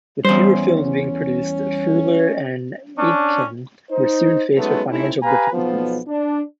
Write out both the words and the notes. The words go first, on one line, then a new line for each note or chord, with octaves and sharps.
With fewer films being produced, Freuler and Aitken were soon faced with financial difficulties.
E2 G3 C#4 C5
C#4 D4
D#4 C5
F#3 G#3 A3 B3 C#4 D#4
A3 C4 C#4 D#4 E4
G4 B4 F5 G#5 A#5
B1 F3 B3
D4